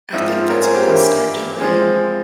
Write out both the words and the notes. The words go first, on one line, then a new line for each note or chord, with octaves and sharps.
I think that's what I'll start doing.
G#2 F3 C4 E4
F4
A#4 C#5
G#4 C5
G4 A#4
G2 E3 A#3
F3 G#3 C4 G#4 C5